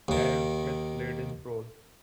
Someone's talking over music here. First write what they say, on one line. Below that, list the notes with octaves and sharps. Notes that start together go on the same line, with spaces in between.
Darren Smith played in the Proles.
D#2 D#3